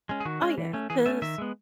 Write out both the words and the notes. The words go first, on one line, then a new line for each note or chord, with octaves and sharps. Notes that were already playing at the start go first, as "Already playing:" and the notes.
Oh, yeah, 'cause
G#3 C#4
G#4
D#3 F#4
G#3 C#4
E3
A3 C#4
E3 G#4
A3 C#4 E5
D#3 E5
G#3 B3